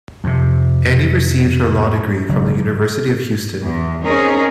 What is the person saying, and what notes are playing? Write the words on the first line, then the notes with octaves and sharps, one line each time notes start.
Annie received her law degree from the University of Houston.
F2 C3
F#1
E2
C4 C#4 D#4 G#4 A#4